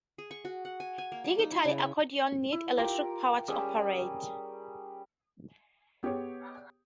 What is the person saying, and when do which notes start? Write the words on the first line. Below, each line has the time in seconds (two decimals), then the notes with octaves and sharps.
Digital accordions need electric power to operate.
0.18 G#4
0.31 C#6
0.45 F#4
0.65 F#5
0.80 G#5
0.98 G#5
1.12 A#3
1.24 G3
1.39 D#4
1.52 E4
1.65 C#3
1.78 E5
2.52 E4
2.77 F4 G4 A#4
3.48 G3 C#4 G#4 E6
6.03 B3 G4 G#4 C#5